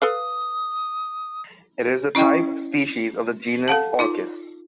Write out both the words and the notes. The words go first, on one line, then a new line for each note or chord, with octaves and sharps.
It is the type species of the genus Orchis.
A4 B4 F5 D#6
C#4 E4 D#5 G5 C#6
A4 F5 F#5 A5
D#4 F4 D6